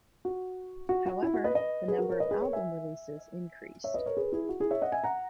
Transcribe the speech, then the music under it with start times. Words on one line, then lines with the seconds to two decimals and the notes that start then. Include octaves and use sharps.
However, the number of album releases increased.
0.25 F#4
0.89 F#4
1.06 F#4
1.22 E4
1.34 F#4
1.44 B4 D#5
1.55 B4 D#5
1.88 G#4 B4
1.98 F#4 A#4
2.09 A#4 C#5
2.20 B4 D#5
2.31 G#4 B4
2.42 A#4 C#5
2.53 E5 G#5
3.84 C#5 E5
3.94 B4 D#5
4.06 A#4 C#5
4.17 G#4 B4
4.32 E4 G#4
4.49 F#4
4.60 E4 G#4
4.71 C#5 E5
4.82 D#5 F#5
4.92 E5 G#5
5.04 F#5 A#5